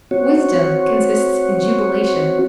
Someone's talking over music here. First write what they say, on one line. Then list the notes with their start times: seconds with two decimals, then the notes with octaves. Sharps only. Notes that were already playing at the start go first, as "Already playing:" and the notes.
Wisdom consists in jubilation.
0.11 C4 F#4 C#5